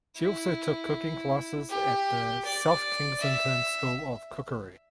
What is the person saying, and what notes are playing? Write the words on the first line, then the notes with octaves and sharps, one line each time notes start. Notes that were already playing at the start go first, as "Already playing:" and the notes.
She also took cooking classes at the South Kensington School of Cookery.
E4
G4
D5
E5